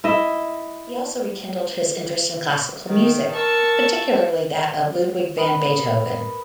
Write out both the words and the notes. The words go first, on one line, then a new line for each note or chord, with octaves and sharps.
He also rekindled his interest in classical music, particularly that of Ludwig van Beethoven.
E4 D#5 E5
D#3
A#4 A5 C#6 E6
A#4 B4 D#5